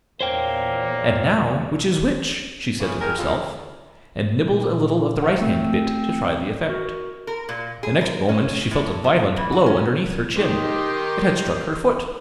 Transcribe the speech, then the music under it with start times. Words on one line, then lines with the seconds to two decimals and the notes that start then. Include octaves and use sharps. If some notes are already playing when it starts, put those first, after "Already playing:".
'And now which is which?' she said to herself, and nibbled a little of the right-hand bit to try the effect: the next moment she felt a violent blow underneath her chin: it had struck her foot!
0.21 E2 A#2 A#3 C5 C#5 G5
2.79 C#3 E3 F3 B3 C#4 F4
3.00 G#3 G4 G#4 A#4
3.17 G3 G#3 A#3 D4 F4 A4
4.52 A#2
5.22 A#4 C5 F#5
5.41 A3 C4
6.67 F#4 A#4
7.27 A#4
7.49 A#2
7.83 G#4
8.01 A#4
8.29 C#4
8.71 A2
9.04 F3
9.36 E3
9.52 F#4
9.66 C#4
10.34 D#3 D#4 G4 C6